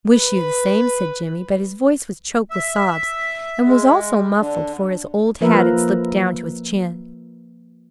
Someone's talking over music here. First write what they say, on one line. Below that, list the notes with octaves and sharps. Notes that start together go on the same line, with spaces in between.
"Wish you the same," said Jimmy, but his voice was choked with sobs, and was also muffled, for his old hat had slipped down to his chin.
B4
E5
G#3
D3
F3 A#3 A#4 B4 E5